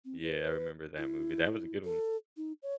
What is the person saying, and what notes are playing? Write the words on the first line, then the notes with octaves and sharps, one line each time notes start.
Yeah, I remember that movie. That was a good one.
C4
B4
E4
E4
A4
D#4
C#5